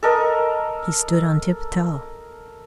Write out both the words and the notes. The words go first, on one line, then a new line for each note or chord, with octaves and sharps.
He stood on tiptoe.
A4 A#4 D#5